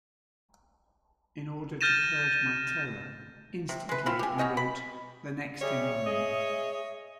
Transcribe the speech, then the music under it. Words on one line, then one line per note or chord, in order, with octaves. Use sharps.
In order to purge my terror, instantly, I wrote 'The Next in Line.
F6 G6 A6 A#6 D#7 E7
C3
G#3 B4
C4 E4 F4
G4 G#5
C#4 F#4 D#5 G5
B5
G3 G#4 C#5 E5
G#4 D#5